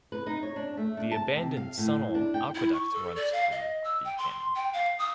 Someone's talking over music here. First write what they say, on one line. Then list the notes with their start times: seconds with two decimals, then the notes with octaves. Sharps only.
The abandoned Sunol Aqueduct runs through the canyon.
0.12 B4
0.26 D#4
0.43 C#5
0.56 D4
0.77 A3
0.97 D4
1.11 A5
1.36 C3
1.57 F5
1.78 A2
2.15 D4
2.34 G5
2.55 E4
2.73 C#6
2.94 A4
3.16 D5
3.32 F5
3.52 D#5
3.84 E6
4.04 G5
4.18 C6
4.55 G5
4.73 F5
4.98 D#6